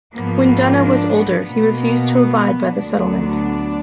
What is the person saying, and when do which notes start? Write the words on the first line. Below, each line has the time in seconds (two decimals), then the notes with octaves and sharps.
When Donough was older, he refused to abide by the settlement.
0.14 G#2 F3 A#3 B3
0.81 D4
1.13 B3
1.46 B2 A#3 B3
2.78 D2 D3 F#3 B3 D4